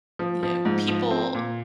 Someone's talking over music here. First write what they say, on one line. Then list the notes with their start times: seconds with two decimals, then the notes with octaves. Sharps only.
You know, people
0.19 F3
0.43 F3
0.65 G#2
0.88 F3
1.11 C4
1.34 A#2